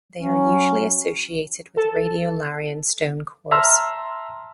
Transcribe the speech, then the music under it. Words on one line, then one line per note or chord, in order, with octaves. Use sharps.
They are usually associated with radiolarian stone cores.
F#3 C#4
A4 A5
E5 A5 A#5 C6 E6 F6